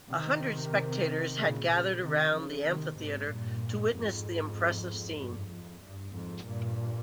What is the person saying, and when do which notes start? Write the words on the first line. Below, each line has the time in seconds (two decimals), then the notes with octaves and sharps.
A hundred spectators had gathered around the amphitheater to witness the impressive scene.
0.11 C3 D#3
1.38 A#2 C#3
1.69 A#2 C#3
2.01 C3 D#3
2.33 C#3 F3
2.65 C3 D#3
2.96 G#2 C3
3.28 G2 A#2
3.91 F2 G#2
5.19 G2
5.50 F2
5.82 G2
6.13 F2 G#2
6.45 G2 A#2